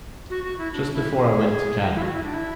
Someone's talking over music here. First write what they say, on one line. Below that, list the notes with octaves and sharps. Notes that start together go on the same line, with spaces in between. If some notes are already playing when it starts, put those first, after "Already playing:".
Just before I went to Cannes.
F#4
F#4
E4
D4
E4
G#4
E4
F#4
E4
D4
E4